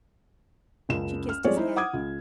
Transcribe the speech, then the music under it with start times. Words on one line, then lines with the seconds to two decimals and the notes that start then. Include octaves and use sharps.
She kissed his hand.
0.89 F#1 C#2 E7
1.29 F6
1.44 F3 G3 G#3 C4 C#5 D5
1.56 D#4 E4 C5
1.76 F#5 D6 D#6 G#6
1.93 C#2